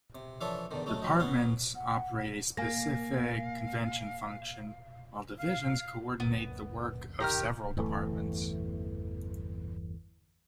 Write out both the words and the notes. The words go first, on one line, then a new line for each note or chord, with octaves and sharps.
"Departments" operate a specific convention function, while "divisions" coordinate the work of several departments.
C3
E3 F3 D4 A4 C#5 E5
E2 G#2 D3 D#3
C#3 F#3 G#3 A3
F3 F#3 D#4
B3 C#4 F5 F#5
F#5
A#3 F5 G#5 A#6
F5
F#1 D2 A#2 B3
D#3 G4 A#5 C#6 F6
G1 E2 E3 A3